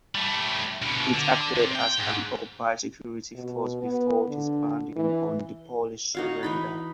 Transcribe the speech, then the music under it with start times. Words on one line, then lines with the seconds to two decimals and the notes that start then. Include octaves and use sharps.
It acted as an occupied security force before disbanding on the Polish surrender.
0.15 G3 A3
0.82 D2 B2
1.14 D3
1.55 C3
1.75 G5
1.98 G#2
3.35 B2
3.82 B3
4.27 D3
4.96 E3
6.15 D#4 F#4 F5
6.43 E3 D#4 B5